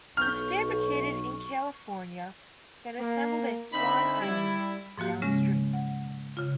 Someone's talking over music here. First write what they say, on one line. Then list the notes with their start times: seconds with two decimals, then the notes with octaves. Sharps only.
It was fabricated in California then assembled at Swan Island, downstream.
0.17 B1 C#6 F6 G6
2.98 A#3
3.73 D3 C4 D#4 E5 B5
4.21 G3 E4
4.98 G#2 F3 A#3 F#4 G4
5.22 C#3 G#3 C#4 A#6
5.73 F#5
6.37 C#3 F4